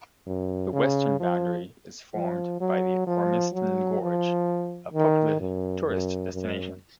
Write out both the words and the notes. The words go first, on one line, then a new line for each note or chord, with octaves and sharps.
The western boundary is formed by the Ormiston Gorge, a popular tourist destination.
F#2
C#3
F3
F3
F#3
F3
F#3
F3
D#3
F#2
F#2
F#2